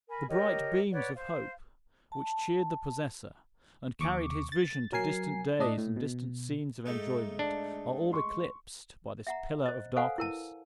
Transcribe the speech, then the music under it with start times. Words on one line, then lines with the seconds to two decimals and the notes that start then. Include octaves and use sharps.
The bright beams of hope, which cheered the possessor, and carried his vision to distant days and distant scenes of enjoyment, are all eclipsed by this pillar of darkness.
0.08 A#4 G#5 B5
0.27 G4 A#4 C#5 D#5
0.91 B4 C#5 D5 F#5
1.14 C5 F5
2.12 A5
4.00 D#2 C#6 D6
4.52 A6
4.92 F#3 A#4 G#5 C7
5.59 A2 D4 D#5
5.78 A2
5.96 B2
6.86 G#2 A3 D#4
7.39 D4
8.13 C6 C#6
9.27 E5 F#5 A#5
9.66 C5 D#5
9.96 A4 B4 C5 F5 F#5 G#5
10.18 E4 A#4 A5